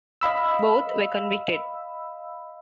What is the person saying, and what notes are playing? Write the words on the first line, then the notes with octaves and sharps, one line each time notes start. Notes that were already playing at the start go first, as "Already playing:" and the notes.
Both were convicted.
D#5 F5 B5 E6